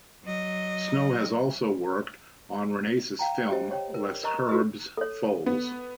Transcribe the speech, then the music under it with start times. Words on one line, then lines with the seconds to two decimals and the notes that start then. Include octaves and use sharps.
Snow has also worked on Resnais's film "Les Herbes folles".
0.24 F#3 D#5
3.19 F5 G5 A#5
3.51 G4 C5 D#5
3.71 C#5 G5
3.94 A#4
4.24 A#4 D#5 A#5 C#6
4.49 F4 F#4 G#4 B4 D#5
4.97 A4 C#5
5.46 B3